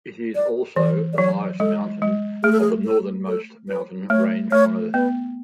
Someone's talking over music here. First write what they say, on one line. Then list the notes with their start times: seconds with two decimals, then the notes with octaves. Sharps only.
It is also the highest mountain of the northernmost mountain range on Earth.
0.35 D5
0.76 E3 D5
1.13 D5
1.18 F#3 C#5
1.60 G#3 A4
2.02 G#3
2.43 A3 G#4
2.52 A4
2.60 G#4
2.85 A4
3.27 A4
3.69 B4
4.10 A3 C#5
4.51 A3 C#5
4.94 B3 B4